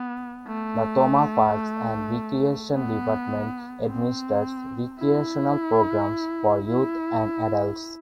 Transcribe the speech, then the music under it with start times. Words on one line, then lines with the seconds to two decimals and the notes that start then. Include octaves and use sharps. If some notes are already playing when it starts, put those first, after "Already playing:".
The Tomah Parks and Recreation Department administers recreational programs for youth and adults.
Already playing: B3
0.48 A3
2.74 B3
3.87 C4
4.99 E4
6.68 E4